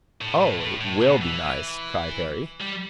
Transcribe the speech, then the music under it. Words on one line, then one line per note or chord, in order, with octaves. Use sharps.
"Oh! it will be nice!" cried Harry.
A2
A2
A2
A2
B2
E3
G3